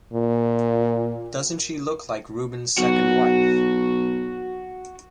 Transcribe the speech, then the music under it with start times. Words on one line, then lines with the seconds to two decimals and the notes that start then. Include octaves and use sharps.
Doesn't she look like Rubens' second wife?
0.13 A#2
2.78 B1 F#4